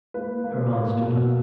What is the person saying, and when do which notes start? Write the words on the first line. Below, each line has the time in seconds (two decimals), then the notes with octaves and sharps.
Her aunt stood up.
0.14 A#3 B4
0.44 A#3
0.72 A#3
1.01 B2